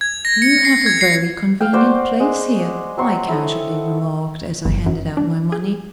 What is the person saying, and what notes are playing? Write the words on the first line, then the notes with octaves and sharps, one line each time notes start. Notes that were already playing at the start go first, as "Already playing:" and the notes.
"You have a very convenient place here," I casually remarked, as I handed out my money.
G#6
A#6
C#7
C7
G#6
C7
F5 G5
F#4 C5 D5
G#3
F#3 C4 C6 C#6
E4 A4 D#6
G1
F#2
D4
G#4